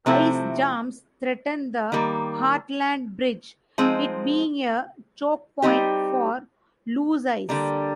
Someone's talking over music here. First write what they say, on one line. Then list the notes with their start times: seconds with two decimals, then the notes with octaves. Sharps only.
Ice jams threaten the Hartland Bridge, it being a choke point for loose ice.
0.06 C3 F3 A3 C4 E4
1.92 D#3 G3 A#3
3.78 F3 G#3 C4 D#4
5.62 G3 C4 D#4 G4
7.49 D3 G3 A#3